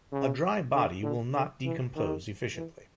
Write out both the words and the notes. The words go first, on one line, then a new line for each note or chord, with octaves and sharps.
A dry body will not decompose efficiently.
C#3
D3
D3
D3
E3
D#3
E3